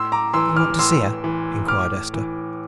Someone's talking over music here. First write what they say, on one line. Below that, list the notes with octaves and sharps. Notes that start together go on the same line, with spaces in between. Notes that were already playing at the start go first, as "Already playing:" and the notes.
"You want to see her?" inquired Esther.
Already playing: A2 C6 E6
A#5 D6
E3 C6 E6
D6 F6
A2 C6 E6
E3
A2 D6 F6
E3